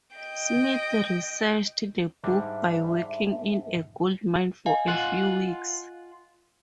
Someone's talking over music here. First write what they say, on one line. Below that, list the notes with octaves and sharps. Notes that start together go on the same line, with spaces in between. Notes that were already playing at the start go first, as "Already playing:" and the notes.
Smith researched the book by working in a gold mine for a few weeks.
D#5 G5
G#2 G3 D4 E5
D#5 F5 G#5
F4 F#5